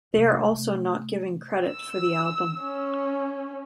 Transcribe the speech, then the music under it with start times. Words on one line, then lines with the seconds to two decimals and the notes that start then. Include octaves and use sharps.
They are also not given credit for the album.
0.14 C3 A3
1.66 E6
2.60 C#4